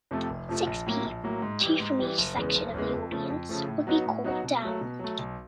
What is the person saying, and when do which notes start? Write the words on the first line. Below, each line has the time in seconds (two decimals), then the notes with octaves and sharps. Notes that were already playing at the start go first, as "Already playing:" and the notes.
Six people, two from each section of the audience, would be called down.
0.11 F2 C3 F3 A3
0.30 F1
0.49 F2 C3 F3 A3
0.67 A#1
0.86 A2 F#3 A#3
1.05 A#1
1.23 A2 F#3 A#3
1.42 G#2
1.61 E3 G3
1.80 G#2
1.99 E3 G3
2.18 F#1
2.36 E2 C#3 E3 G#3
2.55 F#1
2.74 E2 C#3 E3 G#3
2.93 F2
3.12 C#3 F3 A3
3.30 F2
3.49 C#3 F3 A3
3.68 A2
3.87 F#3 B3 D#4 F#4
4.06 A2
4.24 F#3 B3 D#4 F#4
4.43 B2
4.62 F#3 A3
4.81 B2
4.99 F#3 A3
5.19 B1